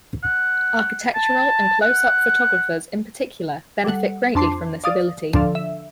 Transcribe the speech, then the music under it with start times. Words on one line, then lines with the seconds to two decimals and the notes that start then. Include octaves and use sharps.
Architectural and close-up photographers in particular benefit greatly from this ability.
0.23 F#5
1.16 A5
1.81 F#5
3.84 G3 A4 F#5
4.35 F2 D4 A5 C6 D6 C7
4.84 D5 F5 D#6 A6
5.33 D3 F3 D4 A4 D5 F5
5.55 E5